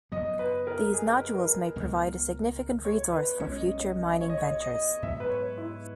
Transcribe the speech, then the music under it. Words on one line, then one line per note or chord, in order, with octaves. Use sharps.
These nodules may provide a significant resource for future mining ventures.
F#2 C#3 F#3 B3 D#5
B4
A#4
G#4
A#4
C#2 B2 G#3
C#5
B4
B1 B2 G#3 C#4 C#5
D#5
C#5
D#5
C#5
D#5
C#5
D#5
G#2 F#3 B3 E5
B4
C#5
E4